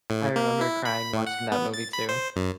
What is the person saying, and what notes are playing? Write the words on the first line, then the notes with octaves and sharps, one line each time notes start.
I remember crying watching that movie too.
A2
A#3
E4
B5
A2
F#5
B3
A6
B5
C5
F#2